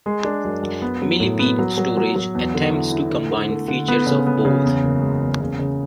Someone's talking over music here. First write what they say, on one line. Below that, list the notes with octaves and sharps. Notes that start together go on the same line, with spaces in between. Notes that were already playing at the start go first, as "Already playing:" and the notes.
Millipede storage attempts to combine features of both.
G#3
D4
F#2
F#2
B3
F#3
A2
B3
F#3
F#3
F#3
F#3
E2
D3
E4
E4
D3
D3
A3
D3
B3
C#3
B3
C#3
E2
F#1
G#3
E2
C#3
C#3